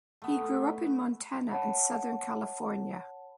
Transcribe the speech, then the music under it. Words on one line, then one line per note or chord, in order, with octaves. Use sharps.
He grew up in Montana and southern California.
A3 B3
C#5 F#5 A5 B5